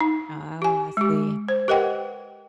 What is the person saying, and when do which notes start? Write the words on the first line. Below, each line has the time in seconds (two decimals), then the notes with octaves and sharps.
Oh, I see.
0.01 D#4
0.62 G4 G#5
0.97 G#3 G4
1.49 C5
1.68 G4 A#4 B4 D#5 F#5 G5